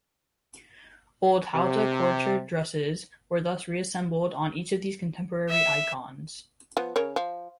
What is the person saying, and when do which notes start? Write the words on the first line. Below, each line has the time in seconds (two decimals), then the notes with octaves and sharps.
Old haute couture dresses were thus re-assembled on each of these contemporary icons.
1.55 C3
5.49 E5
6.77 F3 B3
6.96 C#3 A#4 C#5
7.16 F3